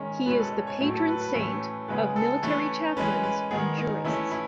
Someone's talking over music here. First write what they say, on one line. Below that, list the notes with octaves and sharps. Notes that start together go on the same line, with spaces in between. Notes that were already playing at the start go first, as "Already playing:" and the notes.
He is patron saint of military chaplains and jurists.
Already playing: D#3 G#3 C#4 C#5
B2 G#3 C#4 B4
A4
C#5
C#5
A2 F#3 A3 E4
A4
B4
B4
A2 E3 A3 C#4
C#3 G#3 B3 B4
A4
E3 A3 C#4 B4
E3 G#3 C#4 B4
B4
D#3 G#3 B3 G#4
D#4
E3 A3 C#4 E4
E4